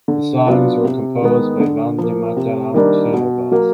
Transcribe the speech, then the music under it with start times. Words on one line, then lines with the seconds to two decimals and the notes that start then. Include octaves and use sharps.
The songs were composed by Vandemataram Srinivas.
0.08 D3
0.46 F#3 B3 D4 F4
0.84 C3
1.22 D#3 G#3 B3
1.60 D3
1.98 F3 A#3
2.36 C3
2.74 D#3 G3 A#3 D4
3.13 B2
3.52 F#3 A#3